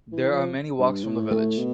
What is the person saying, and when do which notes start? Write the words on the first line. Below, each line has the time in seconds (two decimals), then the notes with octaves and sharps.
There are many walks from the village.
0.12 E3
0.32 F3
0.79 G2
1.04 A2
1.31 A2 A3
1.58 B2